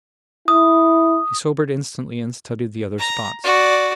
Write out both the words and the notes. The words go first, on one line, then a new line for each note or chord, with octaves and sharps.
He sobered instantly and studied the other spots.
E4 D#6
A#5
F#4 D5